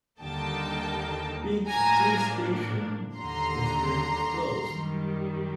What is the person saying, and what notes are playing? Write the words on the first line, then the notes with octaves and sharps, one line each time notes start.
Bridge Street station was then closed.
D#2 D3 G3 A#3 D#4 G5 A5
A2 F3 A#3 D4 G#5 A#5
D#2 D3 G3 A#5 C6
F#2 D#3 G3